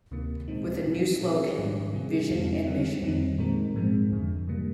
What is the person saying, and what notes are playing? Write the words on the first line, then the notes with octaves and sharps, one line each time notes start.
With a new slogan, Vision and Mission.
D2 C3 D#3 A#3
A#2 G#3 C4 D#4
A#2 G3 C4
A#2 F3 C4 D#4 G#4
G#2 D#3 G3 D4
C3 G3 C4 F4 G#4
F2 D3 G#3 C4 D#4
D3 G3 C4
F2 D#3 G3 C4 D#4
A#2 G#3 C4 D#4 A#4
G#2 F3 G#3 C4
F2 D3 G#3
C3 G3 A#3